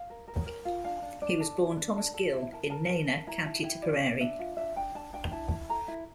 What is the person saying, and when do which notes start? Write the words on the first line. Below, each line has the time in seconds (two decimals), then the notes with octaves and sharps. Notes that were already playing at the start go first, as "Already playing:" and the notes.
He was born Thomas Gill in Nenagh, County Tipperary.
Already playing: F5
0.10 A#4
0.27 A#4
0.46 A#4
0.65 F4
0.84 D4 F5
1.02 D4
1.22 D4 D5
1.40 A4
1.59 D4
1.77 D4
1.96 A4
2.14 A4
2.33 E4 E5
2.52 A#4 A5
2.70 A#4 A5
2.89 A#4 A5
3.08 A#4 A5
3.27 E4 A#5
3.45 E4 A5
3.63 E4 G5
3.82 F4 D5
4.01 D4
4.20 D4 E5
4.39 F4
4.57 D4 E5
4.76 D4 G5
4.95 D4 A5
5.13 D4 G5
5.32 E4 A5
5.51 E4
5.70 A4 A#5
5.88 E4